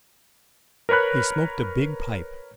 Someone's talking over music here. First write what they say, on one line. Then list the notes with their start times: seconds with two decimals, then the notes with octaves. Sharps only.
He smoked a big pipe.
0.89 A#4 B4 C#5 B5 F#6